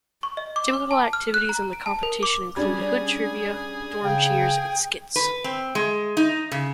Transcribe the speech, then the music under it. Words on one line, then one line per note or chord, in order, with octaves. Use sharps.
Typical activities in the competition include Hood trivia, dorm cheers and skits.
C#6
D#5
D6
D6
A5
F6
F#6
A#5
D7
A5
A#4
D6
G3 C#4 D4 G#4
C#3 G5
B4
C4
G#3
D#4
C#3